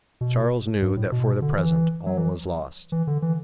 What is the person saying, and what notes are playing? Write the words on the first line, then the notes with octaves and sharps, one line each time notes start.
Charles knew that for the present all was lost.
B2
G2
A2
B2
D3
E3
F#3
E3
E3
D3
E3